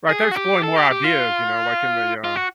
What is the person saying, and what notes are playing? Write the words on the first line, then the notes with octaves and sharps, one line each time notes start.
Right, they're exploring more ideas, you know, like in the j uh
G#4
F#4
G4
A4
G4
G4
F4
F4
F#4